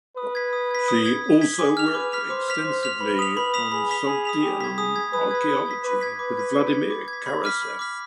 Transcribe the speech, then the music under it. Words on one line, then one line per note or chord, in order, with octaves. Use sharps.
She also worked extensively on Sogdian archaeology with Vladimir Karasev.
B4 D#6
G#6 B6
D#6
G#6 B6
D#6
G#6 B6
D#6
G#6 B6
G#4 D6
F6 B6 F7
B4 D6
F6 B6 F7
C5 D6
F6 B6 F7
C5 D6
F6 B6 F7
B4 B5
D#6 B6 F7
B4 B5
D#6 B6 F7
G#4 B5
D#6 B6 F7
G#4 B5
D#6 B6 F7
G4 D#6
G#6 B6
G#4 D#6
G#6 B6
B4 D#6
G#6 B6
D#6
G#6 B6
B4 D6
G#6 B6
B4 D6
G#6 B6
D6
G#6 B6
D6
G#6
B6
B5
D6 F6 B6
B5
D6 F6 B6